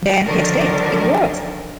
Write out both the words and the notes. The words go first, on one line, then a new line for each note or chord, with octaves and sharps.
Then, he exclaimed: It works!
D3 D#3 F3 F#3 D4 A#4